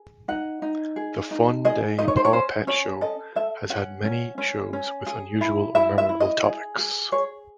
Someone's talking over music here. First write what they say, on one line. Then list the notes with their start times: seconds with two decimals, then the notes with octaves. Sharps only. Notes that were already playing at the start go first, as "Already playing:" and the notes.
The Funday PawPet Show has had many shows with unusual or memorable topics.
Already playing: G#4
0.28 D#4 F#5
0.62 D#4
0.96 G#4
1.31 D#4
1.65 G#4 D#5
1.98 D#4 D#5
2.08 C#5
2.17 C5
2.25 C#5
2.33 C#4 C5
2.67 C#4 C#5
3.01 A4 D#5
3.36 A4 E5
3.70 C#4 F#5
4.04 C#4
4.38 C#4
4.73 C#4
5.07 G#4
5.41 E4
5.75 E4 E5
5.98 E5
6.09 E4
6.20 D#5
6.44 G#4
6.78 G#4
7.12 G#4 C#5